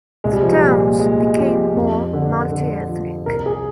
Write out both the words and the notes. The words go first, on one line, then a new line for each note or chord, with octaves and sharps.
The towns became more multiethnic.
C2 G#3
G3
F3
G3
A#2
A#2 G#3
F3 G4
F2
D3
D3
F3
C2 A#4
G#4